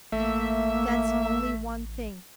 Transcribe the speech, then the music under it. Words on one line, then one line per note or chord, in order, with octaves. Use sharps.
That's only one thing.
A1 A3 A#3 E5